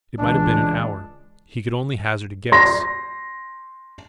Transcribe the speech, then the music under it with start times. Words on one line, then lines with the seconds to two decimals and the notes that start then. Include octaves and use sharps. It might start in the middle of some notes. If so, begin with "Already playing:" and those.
It might have been an hour--he could only hazard a guess.
0.19 C#2 E3 G#3 D4
2.52 C6 A#6